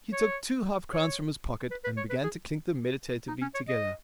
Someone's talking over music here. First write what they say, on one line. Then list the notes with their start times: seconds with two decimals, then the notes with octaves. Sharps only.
He took two half-crowns from his pocket, and began to clink them meditatively together.
0.13 C#5
0.93 C#5
1.71 B4
1.84 B4
1.97 C#5
2.10 B4
2.23 G#4
3.28 D#4
3.41 C#4
3.55 C#5
3.68 D#5